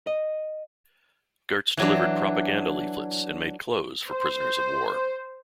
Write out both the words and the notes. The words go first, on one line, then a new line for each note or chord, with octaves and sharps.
Gertz delivered propaganda leaflets and made clothes for prisoners of war.
D#5
E3 F#3 D4
C5